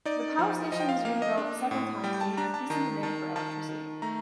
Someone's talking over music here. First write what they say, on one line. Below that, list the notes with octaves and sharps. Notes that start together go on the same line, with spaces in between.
The power station was redeveloped several times to meet increasing demand for electricity.
D#4 D5
F3
F3 D#5
G5
F5
A#3 F5
D#5
D4
A2
G3 G5
G5
A5
D4 A#5
A5
D#3 A#5
D#3 A5
D#3 A5
D#3
A3 A#5